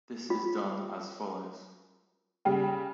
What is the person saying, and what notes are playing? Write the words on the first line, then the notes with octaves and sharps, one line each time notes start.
This is done as follows.
F4
C#3 G3 G5